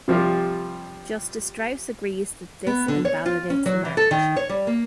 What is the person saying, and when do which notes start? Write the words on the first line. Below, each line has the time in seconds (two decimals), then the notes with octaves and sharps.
Justice Strauss agrees that this invalidates the marriage.
0.08 C3 F3 G3 F4 G4
2.67 B3
2.88 D3
3.05 C#5
3.26 F4
3.50 C#4
3.66 F#3
3.85 E3
3.97 A4
4.11 D#3
4.36 C#5
4.50 G3
4.67 A#3